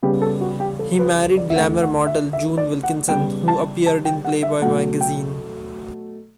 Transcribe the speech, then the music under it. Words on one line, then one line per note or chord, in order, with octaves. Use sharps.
He married glamor model June Wilkinson, who appeared in Playboy Magazine.
C#3 G3 B3 G4
A4
F#4
G4
A4
B4
D5
E5
D3 A3 F#5
F#5
E5
E5
D5
F#5
C#3 G3 B3 G5
A5
A5
G5
F#5
E5
B2 F#3 A3 F#5
G5